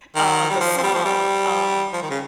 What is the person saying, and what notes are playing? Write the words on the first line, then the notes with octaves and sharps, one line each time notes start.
uh, the song, um
D#3
G3
F3
F3
G3
F3
G3
F3
D#3
C#3